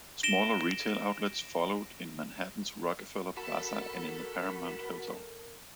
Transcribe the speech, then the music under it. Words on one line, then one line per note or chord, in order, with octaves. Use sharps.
Smaller retail outlets followed in Manhattan's Rockefeller Plaza and in the Paramount Hotel.
A#6 D7 E7 G7
F#4 A4 A#4 A5 B5